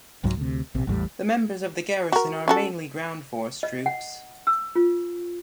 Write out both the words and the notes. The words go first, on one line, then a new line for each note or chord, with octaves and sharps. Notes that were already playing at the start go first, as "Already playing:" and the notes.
The members of the garrison are mainly ground force troops.
C2 G#2 F#3
D2 C3
A#1 C3
A1 E2 A2 G3
F#4 A#4
C#4 F#4 A4
D#5
F#5
E6
F4